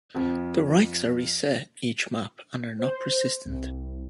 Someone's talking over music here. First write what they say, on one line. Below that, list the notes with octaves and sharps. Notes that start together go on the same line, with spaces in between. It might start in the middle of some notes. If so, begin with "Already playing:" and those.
The ranks are reset each map and are not persistent.
F2 F3
C5
C2